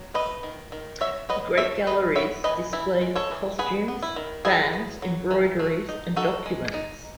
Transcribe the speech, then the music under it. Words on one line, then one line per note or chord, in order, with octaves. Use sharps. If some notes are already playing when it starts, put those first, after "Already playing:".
The Great Gallery displays costumes, fans, embroideries and documents.
Already playing: F#3
A3 B4 D#5
D#3
D#3
F#3 C#5 E5
F#3 B4 D#5
A3 C#5 E5
E3 B4 D#5
B3 C#5 E5
E3 B4 D#5
E3 E4
G#3
A4 C#5
E3
B3 G#4 B4
B3
E4
D#3
F#3 E4 G#4
B3
F#3
E3
A3
D#4
D#4 F#4 A4
G#3
D#4